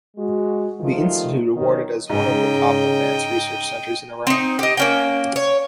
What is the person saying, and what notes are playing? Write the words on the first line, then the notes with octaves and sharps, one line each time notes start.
The Institute awarded as one of the top advanced research centers in Iran.
G#3 F#4
D#3 F3 G3 A3 F4
D#3 F#3 B3 C#4
G#2 C#3 D#5 G5
C4 D#4
G4 D#5
A#3 C#4 G5
C#5